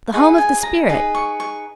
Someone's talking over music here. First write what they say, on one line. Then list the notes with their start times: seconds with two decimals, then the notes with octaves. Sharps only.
The Home of the Spirit!
0.13 D#4 G#4 B4 F#5
0.38 G#5
0.63 A#5
0.89 D#4 G#4 B4
1.15 C#6
1.40 C#6